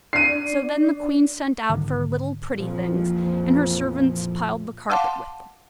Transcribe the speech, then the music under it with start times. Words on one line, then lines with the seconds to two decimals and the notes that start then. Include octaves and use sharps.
So then the queen sent out for little pretty things, and her servants piled the carpet with them.
0.13 D4 D5 C7 D#7
1.70 C2 G#2 D3 D#3
2.55 A#1 F2 A#2 E3 F3
4.90 F5 F#5 A5 C6 D6